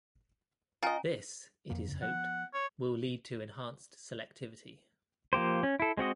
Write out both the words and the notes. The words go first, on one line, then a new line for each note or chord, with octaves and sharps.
This, it is hoped, will lead to enhanced selectivity.
C#4 F4 D#5 G#5 A#5
F2 F3 A#3
F2 C#3
F3 G#3 B3 F#5
C#5
F3 A#3 G4 C5
C#4
E4 A4
G#3 C4 F#4 D#5